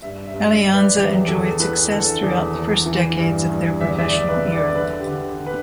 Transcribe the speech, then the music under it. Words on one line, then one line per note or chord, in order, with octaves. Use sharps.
Alianza enjoyed success throughout the first decades of their professional era.
G2 E5
E5
G2
E5
G2 D5
B4
E2 G4
E2 A4
E3 B4
D3 A4
E2
E2
E3
G2
G2
E2 E5
E5
D5
E2
B4
D3
D5
D3 B4
G4
D3
D3
B4